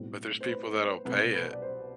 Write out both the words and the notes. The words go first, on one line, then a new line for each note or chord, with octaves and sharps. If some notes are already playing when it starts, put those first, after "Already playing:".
But there's people that'll pay it,
Already playing: B1 A2 G3 C4
C5
B4
C5
C2 B2 A3 C4 B4
B4
D5
C5